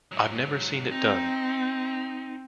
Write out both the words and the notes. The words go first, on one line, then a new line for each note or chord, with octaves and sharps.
I've never seen it done.
G#2 F#3
C4 D#4